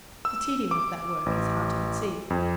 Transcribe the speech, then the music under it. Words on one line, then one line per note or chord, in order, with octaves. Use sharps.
The tedium of that work is hard to conceive.
E6
D6
A1
F2